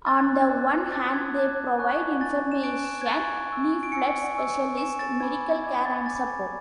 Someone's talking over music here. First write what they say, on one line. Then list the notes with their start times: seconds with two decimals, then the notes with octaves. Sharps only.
On the one hand, they provide information leaflets, specialist medical care and support.
0.06 A5 D6 F#6 A6
0.29 A6
0.41 G#6
0.49 A5 D6 F#6 A6
0.92 A5 D6 F#6 A6
1.14 G#6
1.35 A5 D6 F#6
1.78 G#5 C#6 F#6
2.21 G#5 C#6 F#6 A6
2.52 E7
2.63 G#5 C#6 F#6 D7
2.84 E7
3.01 G#6
3.06 G#5 C#6 F#6 A6
3.49 G#5 C#6 E6
3.83 D7
3.92 G#5 C#6 E6 C#7
4.35 G#5 C#6 E6
4.77 G#5 C#6 E6 E7
4.99 A6
5.20 G#5 B5 D6 G#6
5.63 G#5 B5 D6 G#6
5.85 A6
6.06 G#5 B5 D6 A6
6.27 A6